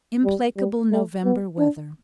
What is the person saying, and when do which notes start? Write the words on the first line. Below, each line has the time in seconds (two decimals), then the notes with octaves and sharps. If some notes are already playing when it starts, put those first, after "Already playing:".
Implacable November weather.
0.25 G3
0.57 G3
0.92 A3
1.25 B3
1.59 D4